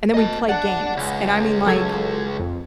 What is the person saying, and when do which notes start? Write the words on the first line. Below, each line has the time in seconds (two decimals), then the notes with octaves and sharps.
and then we'd play games, and I mean, like,
0.14 D#5 A5
0.49 D5 F#5 A5
0.97 C#2
1.66 F#3 A4 G#6
2.39 F2